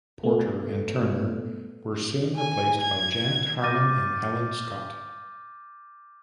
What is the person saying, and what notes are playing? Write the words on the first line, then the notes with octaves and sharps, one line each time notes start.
Porter and Turner were soon replaced by Janet Harmon and Helen Scott.
A3 B3
G#5
G#6
D6 F6 G6 A6 A#6 D#7